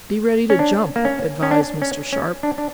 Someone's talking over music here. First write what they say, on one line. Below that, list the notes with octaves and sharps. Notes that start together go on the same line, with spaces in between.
"Be ready to jump," advised Mr. Sharp.
C#4
D4
A#3
C#4
C#4
D4
C#4
C#4
D4
D4